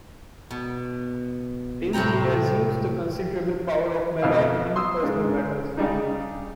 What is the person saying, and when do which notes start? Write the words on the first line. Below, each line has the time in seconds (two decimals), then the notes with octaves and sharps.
Tinsley has used the considerable power of Mallard in personal matters.
0.51 B2
1.93 A2 C3 C4 G5 A#5
4.22 F2 B2 F3 F5 E6
4.76 C6 D#6 E6
5.03 G#2 C#3
5.77 C#3 G3 D4 D#4